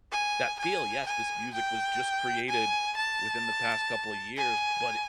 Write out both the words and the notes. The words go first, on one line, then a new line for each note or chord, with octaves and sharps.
that feel, yes, this music was just created within the past couple a years, but it
G#5
G#5
G#5
G5
G#5
A5
G#5